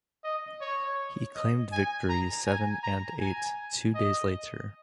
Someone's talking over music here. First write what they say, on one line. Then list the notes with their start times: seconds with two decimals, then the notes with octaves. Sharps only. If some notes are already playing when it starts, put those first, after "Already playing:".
He claimed victories seven and eight two days later.
0.24 D#5
0.61 C#5
1.35 D#5
1.72 G#5
2.09 A#5
2.46 G#5
2.83 A#5
3.21 G#5
3.95 D#5